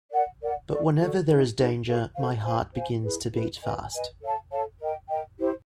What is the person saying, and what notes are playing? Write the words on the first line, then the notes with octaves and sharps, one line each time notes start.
But whenever there is danger my heart begins to beat fast.
A#4 D5 F#5
A#4 D5 F#5
F#4 A4 D5
F#4 A4 D5
D#4 G#4 B4
D#4 G#4 B4
F#4 A4 C5 F5
F#4 A4 C5 F5
C5 F5 G#5
C5 F5 G#5
E4 G#4 B4
E4 G#4 B4
B4 D#5 G#5
B4 D#5 G#5
A4 C#5 F5 A5
A4 C#5 F5 A5
A#4 D#5 G5
A#4 D#5 G5
E4 G4 C5